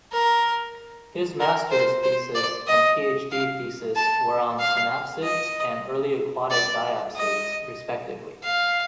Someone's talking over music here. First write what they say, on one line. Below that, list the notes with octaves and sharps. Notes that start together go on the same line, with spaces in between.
His Masters thesis and Ph.D. thesis were on synapsids and early aquatic diapsids respectively.
A#4
A#4
C5
C5
D5
D#5
F5
A5
F5
D#5
D5
D#5
F5